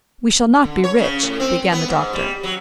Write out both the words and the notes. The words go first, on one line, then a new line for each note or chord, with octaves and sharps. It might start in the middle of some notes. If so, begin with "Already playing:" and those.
"We shall not be rich--" began the doctor.
D3
C#5
C#3
A2
C4
B3
G#2
G3
F#3